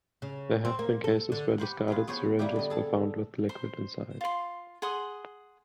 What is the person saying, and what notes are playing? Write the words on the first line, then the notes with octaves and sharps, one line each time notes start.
There have been cases where discarded syringes were found with liquid inside.
C#3
C4
A#3
A4
D3
G4 B4 C5 F#5
F4 G#4 B4
B3 F#4 G#4 C5 C#5
G3 A#3 B3 E4 G4
D3 D#5
G#4 A4 A5
C5 C6
F4 C6
G#4 F#5 C6 D#6